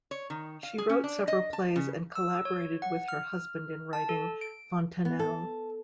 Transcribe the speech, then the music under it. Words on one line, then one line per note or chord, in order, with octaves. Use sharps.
She wrote several plays and collaborated with her husband in writing "Fontenelle".
C#5
D#3
F5
G#4
C#4
D4
D#5
A5
C#3
E6
C#5
F#5
F6
A5
A4
D7
B3
A4